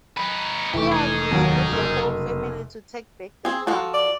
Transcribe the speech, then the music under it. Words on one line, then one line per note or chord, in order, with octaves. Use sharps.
He argues with the whole family to take back the car.
D#4 B4 B5
F1 E3 A3 G4 C#6
D#4 G#4
D#2 F#3
F#1
C4 G#4
F3 F#4 A4
D5